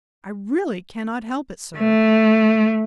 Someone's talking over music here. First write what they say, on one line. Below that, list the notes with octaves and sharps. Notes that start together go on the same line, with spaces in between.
I really cannot help it, sir.
A3